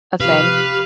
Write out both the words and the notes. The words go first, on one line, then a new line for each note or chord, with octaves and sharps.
a thing.
C3 F3 G4 B4 F5